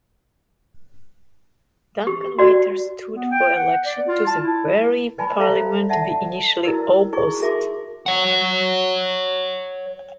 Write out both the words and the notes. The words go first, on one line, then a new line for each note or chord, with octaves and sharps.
Duncan later stood for election to the very parliament he initially opposed.
G4
F#4 D5
B3
G5
F#5
D5
F4
A5
E4
B4 D5 G#5 A5 B5 C6
A4 C5 E5 F5 A#5
D5 E5 F#5 A5
E4 F#4 A#4 B4 D5 E6
D#4 E4 G#4 C#6
F#4 G#4 A#4 E5 C6 D6
C#5 F#5